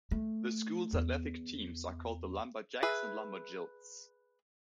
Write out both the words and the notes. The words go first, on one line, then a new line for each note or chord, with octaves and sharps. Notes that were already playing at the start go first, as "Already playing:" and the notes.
The schools athletic teams are called the LumberJacks and LumberJills.
A3
E2
G#4 B4 E5